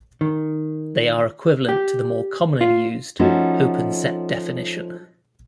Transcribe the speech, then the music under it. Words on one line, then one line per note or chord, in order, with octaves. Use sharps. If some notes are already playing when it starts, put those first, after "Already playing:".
They are equivalent to the more commonly used open set definition.
D#3
G4
F4
F3 A3 C#4 D#4 F#4